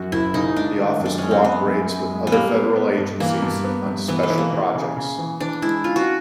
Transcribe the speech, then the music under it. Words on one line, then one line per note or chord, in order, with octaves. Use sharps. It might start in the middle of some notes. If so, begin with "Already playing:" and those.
The office cooperates with other federal agencies on special projects.
Already playing: F#2 F#4
F#1 E4
C#3 D#4
G#3 D4
D#3
F#2
D4
G#3 C#4
C4
F#2 B3
F#2
F#2
G#3
B3
G3 A#3
B3
B3
G2
E3 A#3
G2
B3
G2
E3 B3
A3
E3
A#3
E3
C#3
C#3
E3
E3 D4
G#3 E4
C#4 F4
F#4